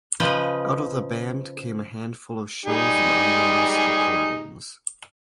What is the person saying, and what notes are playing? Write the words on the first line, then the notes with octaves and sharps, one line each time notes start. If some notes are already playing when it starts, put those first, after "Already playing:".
Out of the band came a handful of shows and unreleased recordings.
C#3 F3 B4 D#5
G3 D#4 G#4